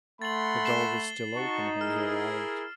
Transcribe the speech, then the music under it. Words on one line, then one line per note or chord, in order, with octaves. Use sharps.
The door was still open when he arrived.
A3 F#5 B5 C6 A6 F#7
C7 E7 G7
D#4 F#4 A5 C#6
E4 G#4 A#4 F6